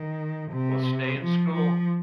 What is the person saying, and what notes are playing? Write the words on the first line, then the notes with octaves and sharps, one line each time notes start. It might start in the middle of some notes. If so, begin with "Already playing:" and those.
Well, stay in school.
Already playing: D#3
C3
F3
F3